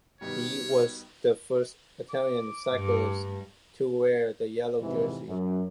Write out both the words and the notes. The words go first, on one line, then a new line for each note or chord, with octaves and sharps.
He was the first Italian cyclist to wear the yellow jersey.
B2 D#3 G3 C#5
D6
G2
F2 G#2 C3 E3
F#2